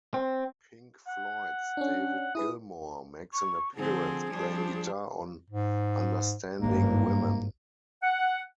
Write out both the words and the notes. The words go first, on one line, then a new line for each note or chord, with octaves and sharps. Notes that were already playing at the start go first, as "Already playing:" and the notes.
Pink Floyd's David Gilmour makes an appearance playing guitar on "Understanding Women".
C4
F#5
C#4 D4
E4 G#4 B4 D#6
C#6
D3 F3 C4 G#4
F3 G3 D4
G#2
G#1 G2 A#3
F#5